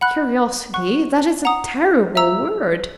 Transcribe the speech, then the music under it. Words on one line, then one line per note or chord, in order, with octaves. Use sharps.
"Curiosity--that is a terrible word."
F#5 B5 F#6
F#5 C#6 F#6
F#5 A#5 D#6
E5 A#5 E6